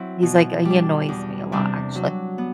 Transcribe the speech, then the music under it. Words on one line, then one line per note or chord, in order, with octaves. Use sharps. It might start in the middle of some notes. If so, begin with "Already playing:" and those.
He's like, uh he annoys me a lot, actually.
Already playing: F#3 C4 E4
B2
G3
D4
E2
C3 G3 D4
F#3
B3